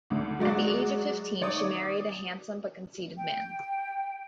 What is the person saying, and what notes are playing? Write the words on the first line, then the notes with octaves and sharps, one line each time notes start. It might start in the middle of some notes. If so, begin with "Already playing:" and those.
At the age of fifteen, she married a handsome but conceited man.
D2 D3
F#3 G#3 F#4 D5
D#3 C#5 D5 D6 D#6
G5